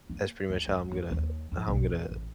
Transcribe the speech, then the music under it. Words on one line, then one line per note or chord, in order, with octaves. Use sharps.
that's pretty much how I'm gonna how I'm gonna
A#3
D2
G#1
D2
D#2
F2
B1
A1
A1